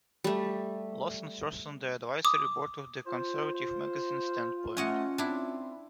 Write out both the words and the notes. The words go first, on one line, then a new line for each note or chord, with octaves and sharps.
Lawson serves on the advisory board of the Conservative magazine "Standpoint".
G3 A3
D6 D#6
F4 C5
C5
A3 C#4 D#5 F#5
C4 D4 E4